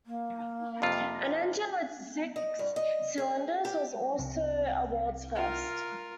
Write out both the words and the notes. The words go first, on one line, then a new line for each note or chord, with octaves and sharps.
An engine with six cylinders was also a world's first.
A#3
F2 C3 F4
D#5
G2
D#5
G#4
G4
C2 C3
F4 A#4